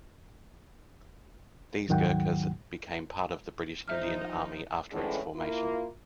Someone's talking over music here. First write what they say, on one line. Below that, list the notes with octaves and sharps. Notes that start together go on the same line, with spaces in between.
These Gurkhas became part of the British Indian Army after its formation.
D#2 G#2 D#3 F#3 F#5 G5
F3 D#4 C5 E5 F6
F2 A2 D3 E3 G#3 C#4
A#3 E4 F4